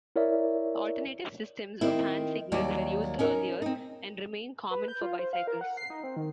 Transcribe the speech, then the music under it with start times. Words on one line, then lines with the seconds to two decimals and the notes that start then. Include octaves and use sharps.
Alternative systems of hand signals were used earlier, and remain common for bicycles.
0.16 E4 A#4 C#5 D5 E5
1.81 D#3 C4 E4
2.52 D#2 F#3 G3 D5
3.19 C#4 D#4 A#4
3.62 C4 D#4
4.71 B4
4.88 G6
5.02 F4
5.19 C5
5.33 F5
5.47 A#4
5.61 F#5
5.77 C7
5.90 D#4
6.04 C4
6.17 D#3